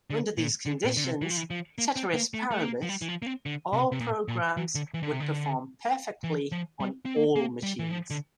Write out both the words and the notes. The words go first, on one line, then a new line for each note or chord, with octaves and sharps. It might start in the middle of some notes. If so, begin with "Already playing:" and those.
Under these conditions, ceteris paribus, all programs would perform perfectly on all machines.
D3
A#2
D3
A#2
D3
C3
E3
F3
E3
F3
A#3
C4
A#3
A3
A3
A#3
F3
G3
E3
F3
A#3
C4
D3
C3
C3
A#2
A#2
E3
D3
E3
D3
C3
D3
E3
F3
G3
C4
A#3
A#3
G3
E3
F3
D3